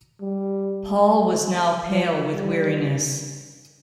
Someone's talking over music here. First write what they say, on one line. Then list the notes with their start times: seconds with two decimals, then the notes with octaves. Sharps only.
Paul was now pale with weariness.
0.21 G3
1.92 F3
2.33 G3